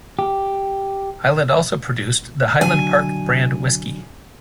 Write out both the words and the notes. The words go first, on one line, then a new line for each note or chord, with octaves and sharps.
Highland also produced the Highland Park brand whisky.
G4
D3 F#3 G#5